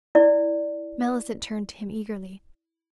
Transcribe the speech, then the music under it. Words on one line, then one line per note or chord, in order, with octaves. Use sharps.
Mellicent turned to him eagerly.
E4 D5